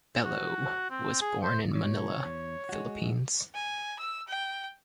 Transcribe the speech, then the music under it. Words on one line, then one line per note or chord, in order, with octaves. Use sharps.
Bello was born in Manila, Philippines.
F#4
C4
G#4
C5
G#2 B2 C#5
E2
G#3 F#4
G#5
E6
G5